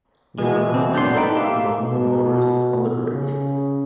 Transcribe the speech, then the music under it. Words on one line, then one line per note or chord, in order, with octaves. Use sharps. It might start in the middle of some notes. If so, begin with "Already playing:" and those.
There were no injuries among the motorists on the bridge.
B2 E3 G#3
C4
F#2 B3 D4 C6 G6
D#4 A4 B4 G5
A#3 G4 E5 C6
B2
C#3